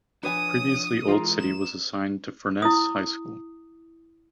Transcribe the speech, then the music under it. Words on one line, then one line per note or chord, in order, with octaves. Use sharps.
Previously Old City was assigned to Furness High School.
F3 D4 B4 C#5 G#5 D#6
E3 G#3 F4 A#4 A#5
E7
E4 D#6